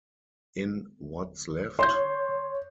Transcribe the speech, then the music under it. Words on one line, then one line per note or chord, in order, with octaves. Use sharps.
In What's Left?
C#5 C6 G6